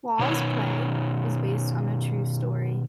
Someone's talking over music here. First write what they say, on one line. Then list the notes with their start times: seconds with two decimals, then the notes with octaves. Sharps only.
Wall's play is based on a true story.
0.19 B2 D#3 C#5